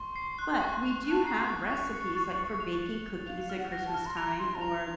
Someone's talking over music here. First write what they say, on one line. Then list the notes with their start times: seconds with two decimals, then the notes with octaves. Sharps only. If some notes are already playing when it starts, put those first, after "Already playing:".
but we do have recipes, like, for baking cookies at Christmas time, or
Already playing: C6 C#6
0.16 C7
0.39 F#6
0.60 C#6
0.83 C#6
1.05 F#6
1.10 A5
1.24 A#5 C7
1.37 C6
1.49 C#6 A6
1.72 F7
1.93 C#7
2.16 A6
2.38 C#7
2.60 F7
2.83 F7
3.06 A6
3.27 F5 F7
3.50 F6
3.58 F#5
3.72 A#6
3.86 A5
3.94 F6
4.06 C6
4.17 A#5 F7
4.39 C6 F7
4.55 A5
4.61 A#5 F7